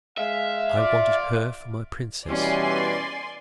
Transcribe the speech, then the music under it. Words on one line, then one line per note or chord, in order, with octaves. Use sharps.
I wanted her for my princess.
G#3 E5 F5
F4 D5
B2 E3 G3 C#4 D5 G#5 C6